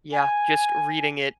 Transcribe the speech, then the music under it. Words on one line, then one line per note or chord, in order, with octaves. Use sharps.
Yeah. Just reading it,
G#5